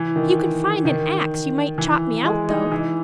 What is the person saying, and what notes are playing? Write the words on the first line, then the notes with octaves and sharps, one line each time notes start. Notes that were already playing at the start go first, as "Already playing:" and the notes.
If you can find an axe you might chop me out, though.
Already playing: E3
D#3
D#3
E3
G#3
D#4
E3